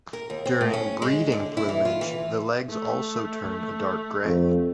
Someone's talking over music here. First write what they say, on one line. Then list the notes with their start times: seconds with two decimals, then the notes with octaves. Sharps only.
During breeding plumage the legs also turn a dark grey.
0.13 A#4
0.30 D#2
0.46 C4
0.61 A2
0.73 C#4
1.02 G#3
1.32 D3
1.57 E4
1.69 E3
1.85 F4
2.01 E3
2.69 A3
4.25 F2